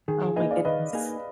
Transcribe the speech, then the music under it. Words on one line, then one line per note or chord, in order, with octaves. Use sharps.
Oh my goodness.
D#3 G#4
G#4
A#3 D#4 G#4 B4 D#5
D5 F5
D#3 B4 D#5
A#3 D#4 G#4